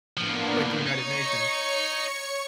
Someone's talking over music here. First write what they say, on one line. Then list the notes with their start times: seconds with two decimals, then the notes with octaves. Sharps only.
like the United Nations.
0.17 A2 F3 A#3 B3 D4
0.86 D#4 C#5 C#6 C#7